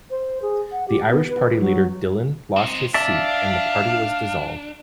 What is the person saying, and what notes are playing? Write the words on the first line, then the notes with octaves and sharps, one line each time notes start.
The Irish Party leader Dillon lost his seat and the party was dissolved.
C5
G#4
F#5
G4
B3
B4
F#3
C4 D#4
D4 D5 E5 F5 A5